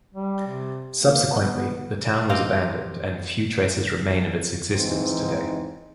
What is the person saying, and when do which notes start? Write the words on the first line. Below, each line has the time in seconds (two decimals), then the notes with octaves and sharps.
Subsequently, the town was abandoned and few traces remain of its existence, today.
0.14 G3
0.47 C3
1.01 A#3
1.29 B3
1.53 B3
2.29 C4 G4 D#5 F5
4.73 G#2 E3 C4 D#4